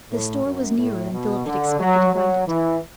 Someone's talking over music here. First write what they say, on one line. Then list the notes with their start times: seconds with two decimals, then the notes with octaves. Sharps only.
The store was nearer than Philip had expected to find it.
0.11 A2
0.44 F#2
0.78 A2
1.12 B2
1.46 D3
1.80 F#3
2.14 F#3
2.48 E3